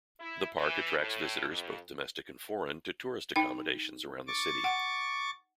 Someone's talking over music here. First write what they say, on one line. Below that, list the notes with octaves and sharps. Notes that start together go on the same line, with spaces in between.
The park attracts visitors both domestic and foreign to tourist accommodations around the city.
E4
E3
A2
F2
D#4 G5
C#6 D6 A6
F#5